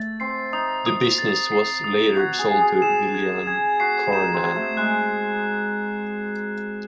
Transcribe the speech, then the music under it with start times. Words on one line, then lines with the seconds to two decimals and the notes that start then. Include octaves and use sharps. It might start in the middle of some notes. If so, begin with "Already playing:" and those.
The business was later sold to William Carnan.
Already playing: A3 A6
0.20 C4 C7
0.53 D#4 D#6
0.86 D#6
1.18 A6
1.52 C7
1.84 D#6
2.17 F#4 G#6
2.39 G#4
2.49 C7
2.60 G#4
2.82 A4 E7
3.14 G#6
3.47 G#4 G#6
3.80 F#4 C7
4.12 D#4 E7
4.34 C4
4.45 G#6
4.56 A3
4.77 G#3 F#6